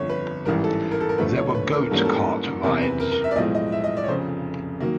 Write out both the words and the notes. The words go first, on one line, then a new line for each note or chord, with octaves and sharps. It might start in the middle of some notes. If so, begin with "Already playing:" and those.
There were goat cart rides.
Already playing: G1 F2 D3 C#5
B4
A1 G#2 E3 G3 A#4
A4
A#4
A4
A#4
D#2 D3 F3 A3 B4
C#5
B4
A#4
G#2 E3 G3 A#3 C#4 A4
A#4
A4
F#1 E2 C3 A#4
B4
A#4
A#4
E5
D5
B1 A2 F3 G#3 D#5
D#5
E5
D#5
D5
C#5
F1 F2 C#3 C5
D#3 F#3 A#3